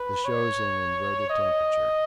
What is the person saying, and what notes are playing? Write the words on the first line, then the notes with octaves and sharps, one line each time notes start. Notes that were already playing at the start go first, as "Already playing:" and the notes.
This shows an inverted temperature.
Already playing: B4
C#5
D#5